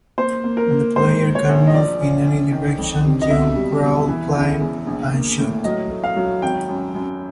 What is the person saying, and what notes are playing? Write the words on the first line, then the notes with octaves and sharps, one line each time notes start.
The player can move in any direction, jump, crawl, climb, and shoot.
A#3 C5
A#3
A#4
A#3
G#2 C5
G#2
C#5
A#1
D#5
F3 D5
C#4
C#4
D#3
F2
C3
D#5
B2 E5
G3
E1
E3
C#3
E2
A#1
A#3
A2
F#3 D#5
A3
F5
F#3
G#1 G5
F#2
F#2